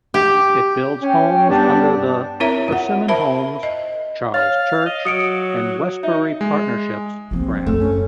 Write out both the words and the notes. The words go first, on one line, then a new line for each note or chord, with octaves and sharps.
It builds homes under the Persimmon homes, Charles Church and Westbury Partnerships brands.
G4
C#4 G5
G2 G3 B3 D4 G4 A5
C4 E4 A#4 C#5 E5 A#5
F4 F#5
A#4 C5 E5 A5 B5
D#5
C#5 F5 A6
D#5
F#3 D#6 C#7 D7
D#4 E5
G#3
F3 A#3 C4
F#2 D#3 A3
C#4